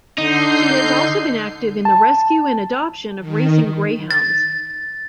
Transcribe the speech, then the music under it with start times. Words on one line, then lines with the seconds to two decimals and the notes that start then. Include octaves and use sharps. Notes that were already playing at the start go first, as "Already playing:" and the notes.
She has also been active in the rescue and adoption of racing greyhounds.
0.18 D3 D#4 G6 C7
1.85 A5
3.19 D#3
4.11 A6